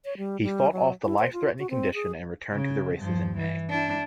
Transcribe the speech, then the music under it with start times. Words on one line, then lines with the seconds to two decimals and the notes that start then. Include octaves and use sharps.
He fought off the life-threatening condition and returned to the races in May.
0.05 C#5
0.18 G3
0.43 G3
0.72 F#3
1.05 E4
1.19 C5
1.33 F4
1.59 F#4
1.70 C4
1.94 G#4
2.53 C#3
2.97 G2 F3
3.38 E3
3.70 D4 E4